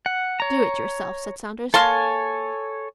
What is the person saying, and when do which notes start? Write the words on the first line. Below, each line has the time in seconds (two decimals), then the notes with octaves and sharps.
"Do it yourself," said Saunders.
0.06 F#5
0.40 C#5 A#5
1.74 A#3 A4 C#5 G#5 A5 C6